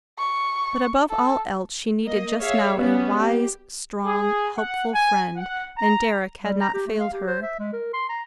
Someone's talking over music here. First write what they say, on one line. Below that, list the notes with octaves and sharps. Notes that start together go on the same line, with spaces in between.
But above all else she needed just now a wise, strong, helpful friend, and Deryck had not failed her.
C#6
A4
A#3 D#5
G#4 C#5 E5 F5
G3 B3 C#4
G4
G#4
F#5
G#5
F#5
A#5
G3
A#5
G4
A3
F5
G4
C5
E5
G#3
A#4
C6
A#5